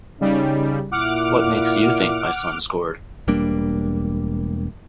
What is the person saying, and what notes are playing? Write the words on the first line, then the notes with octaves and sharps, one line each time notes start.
What makes you think my son scored?
C#3 G3 C#4 D#4
A#2 E4 F#5 D6 F6
E1 G3 A#3 D4